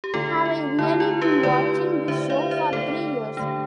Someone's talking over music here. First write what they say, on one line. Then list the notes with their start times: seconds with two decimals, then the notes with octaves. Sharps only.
Have I really been watching this show for three years?
0.04 G4
0.14 D3 A3 D4 F4 A4
0.46 F4
0.79 D3 A3 D4 E4
1.00 F4
1.22 G4 B4
1.43 D3 A3 D4 B4 D5
2.08 D3 A3 D4 C5 E5
2.30 D5 F5
2.51 C5 E5
2.73 D3 A3 D4 A4 C5
3.37 D3 A3 D4